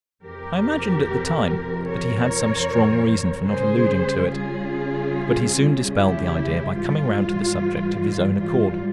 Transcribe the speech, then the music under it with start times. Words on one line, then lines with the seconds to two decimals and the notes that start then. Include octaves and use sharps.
I imagined at the time that he had some strong reason for not alluding to it, but he soon dispelled the idea by coming round to the subject of his own accord.
0.23 F2 C3 F3 G4 A#4
1.86 A#4 C#5
3.48 C#3 G3 C#4 G#4 C5
4.30 F4 G#4
5.93 E4 G4
6.74 G#2 E3 G3 F4
8.37 F4